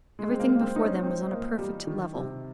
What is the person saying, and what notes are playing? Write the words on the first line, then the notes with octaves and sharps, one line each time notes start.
Everything before them was on a perfect level.
G#3
C4
A#3
A#3
C4
D#4
C#4
C4
A#3
G3
D#3
C3